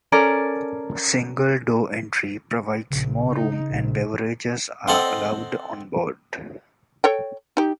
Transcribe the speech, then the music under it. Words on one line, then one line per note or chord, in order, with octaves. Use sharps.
Single door entry provides more room and beverages are allowed on board.
C#4 A4 A#4 D5
A#1 C#3
D#4
A#1
C4 A4 D#5 F#5 C6
A4 C#5 G5
D#4 G4